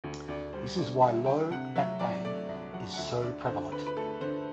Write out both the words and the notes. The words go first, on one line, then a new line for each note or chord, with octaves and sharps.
This is why low back pain is so prevalent.
D2
D2 D5
G3 C5
D2 D5
G3 E5
D3 G5
C3 F#5
F#3 E5
F#3 D5
A3 D5
C2
F#3 F#5
F#5
D2 E5
D3 D5
D3 C5
D3 B4
B4
A3 A4
D3 C5